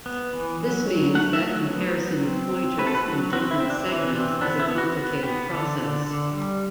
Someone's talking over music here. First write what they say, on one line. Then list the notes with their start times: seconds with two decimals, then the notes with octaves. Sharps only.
This means that comparison of pointers in different segments is a complicated process.
0.06 B3
0.33 E3
0.60 F#3
0.88 F#3
1.15 A3 F#5
1.33 E5
1.42 F#3
1.70 B3
1.97 F#3
2.23 C4
2.52 C4
2.78 A3 B4
2.87 A4
2.95 B4
3.06 F#3 F#4
3.33 C4 F#4
3.51 E4
3.60 C4
3.70 D4
3.87 E3 E4
4.15 C4 D4
4.41 B3 D4
4.59 E4
4.68 B3
4.78 F#4
4.97 B3 F#4
5.23 B3 G4
5.50 D3 A4
5.78 D3
6.05 D3
6.32 G3